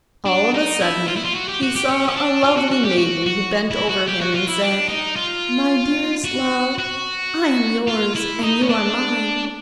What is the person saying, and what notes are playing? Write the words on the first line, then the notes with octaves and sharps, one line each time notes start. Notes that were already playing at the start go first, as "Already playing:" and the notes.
All of a sudden he saw a lovely maiden who bent over him and said: 'My dearest love, I am yours and you are mine.
D4
D#4
E4
F4
E4
F4
F#4
G4
F#4
G4
C#4
C#4
D4
F4
F#4
F#4
G4
F#4
F#4
E4
F#4
G4
F#4
F4
E4
D4
D#4
F4
F#4
F#4
F4
E4
D#4
C#4
D4